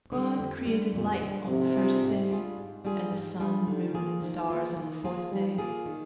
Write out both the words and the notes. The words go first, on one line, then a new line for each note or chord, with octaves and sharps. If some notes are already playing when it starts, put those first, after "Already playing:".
God created light on the first day, and the sun, moon, and stars on the fourth day.
D3 G3
F2
D3 G3
F2 A#2
D3 G3
G#2 C3
G3 D4 F4 G#4
G#2
G3 D4 F4 G#4
G#2
G3 D4 F4 G#4
G#2
G3 D4 F4 G#4
D3 D#3
A#3 F4 G#4
D#3 F3
A#3 F4 G#4
D#3
A#3 F4 G#4
D#3 G3
A#3 F4 G#4
D#3